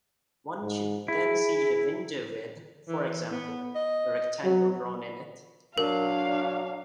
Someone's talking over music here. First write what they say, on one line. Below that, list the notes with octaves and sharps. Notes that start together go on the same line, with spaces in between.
One should then see a window with, for example, a rectangle drawn in it.
G#2
E4 G#4
E3
B3
D#5
F#3
F#3 D4 A#4 F5